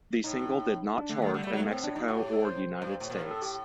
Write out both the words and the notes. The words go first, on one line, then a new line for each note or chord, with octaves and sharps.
The single did not chart in Mexico or United States.
A2 D#4
D4
D3 A3
D#3 A3
D3 G3
A3
G3
F#3
A#2 A3
A2 C4
A2 D4
G2 D#4
A2 F#4
G4
A4
C5
G2
A2
A#2
A2 A#4
A4
G4